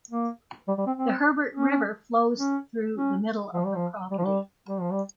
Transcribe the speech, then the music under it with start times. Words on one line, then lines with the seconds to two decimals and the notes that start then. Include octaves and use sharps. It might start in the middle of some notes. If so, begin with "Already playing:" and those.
The Herbert River flows through the middle of the property.
0.11 A#3
0.68 G3
0.78 G3
0.87 C4
0.97 C4
1.54 C#4
2.39 C#4
2.97 C#4
3.53 F3
3.65 G3
3.76 F3
4.11 G3
4.18 F3
4.25 G3
4.68 G3
4.80 F3
4.91 G3